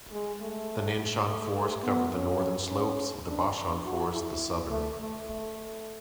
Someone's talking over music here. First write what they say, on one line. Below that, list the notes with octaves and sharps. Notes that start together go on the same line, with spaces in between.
The Nanshan Forest covered the northern slopes; the Bashan Forest, the southern.
G#3
A3
A3
A3
B3
C#4
C#4
D4
F#4
E4
A3
A3
A3